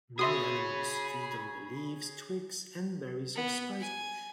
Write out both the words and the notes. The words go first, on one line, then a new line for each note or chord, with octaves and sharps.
Many animals feed on the leaves, twigs, and berries of spicebush.
F#4 G#4 C#5 E5 B5 C6 D#6
B3
G#5